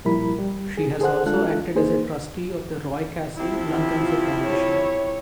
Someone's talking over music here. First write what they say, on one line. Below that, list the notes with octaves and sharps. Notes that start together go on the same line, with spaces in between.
She has also acted as a trustee of the Roy Castle Lung Cancer Foundation.
A#2 F3 G3 E4 A#4 B5
G3
G#4
G#4 A4 C5 F#5 F#6
G#3 D4 F4 A4 F5 F#6
A#3 D#4 G#4 C5
C3 F3 E4
F4
C#5